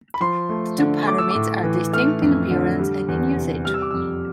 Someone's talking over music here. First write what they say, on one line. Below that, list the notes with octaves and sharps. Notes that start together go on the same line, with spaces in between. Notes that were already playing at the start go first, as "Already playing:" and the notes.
The two pyramids are distinct in appearance and in usage.
B5
F3 C6
A3
D3
A3 D6
E6
A2 D6
E3
A3 F6
F2
D3
G3
E2
C3
G3 F6
E6
D6
F2 E6